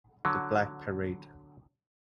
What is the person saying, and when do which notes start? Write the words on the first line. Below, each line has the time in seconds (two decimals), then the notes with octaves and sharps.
The Black Parade.
0.25 D3 F#3